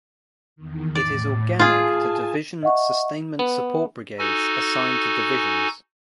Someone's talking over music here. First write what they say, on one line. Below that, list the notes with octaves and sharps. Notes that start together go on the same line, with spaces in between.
It is organic to division sustainment support brigades assigned to divisions.
E2 D#3
A2 D5
F4 G#4 G#5 A5
D#5 E5 F#5 C#6
B3
D#4 F#4 A4 G#5